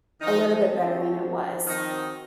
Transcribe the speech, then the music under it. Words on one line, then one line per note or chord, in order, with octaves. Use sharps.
a little bit better than it was.
D#3 F3 D#4
F3
C4
F#4
F3
F3
D#3 C4 D#4
F#4